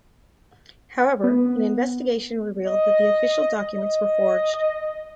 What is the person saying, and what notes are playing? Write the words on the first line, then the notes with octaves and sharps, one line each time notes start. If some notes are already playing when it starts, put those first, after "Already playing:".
However, an investigation revealed that the official documents were forged.
B3
D#5
D#5